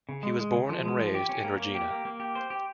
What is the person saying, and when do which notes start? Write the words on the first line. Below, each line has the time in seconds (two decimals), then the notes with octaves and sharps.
He was born and raised in Regina.
0.09 C#3
0.23 G#3
0.39 G#3
0.54 C#3
0.69 F3
0.84 G#3
1.00 F3
1.15 G4
1.29 C#4
1.44 A#3
1.60 A#3
1.75 G4
1.90 A#3
2.05 A#3
2.20 G4
2.35 C5
2.50 G4